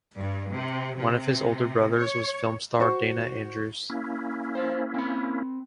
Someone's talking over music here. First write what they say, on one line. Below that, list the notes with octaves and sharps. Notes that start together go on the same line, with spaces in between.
One of his older brothers was film star Dana Andrews.
G2
C3
C3
C#5
F#4 C5 C#6
A#3 C#4 E4
C5 F5
C4 B5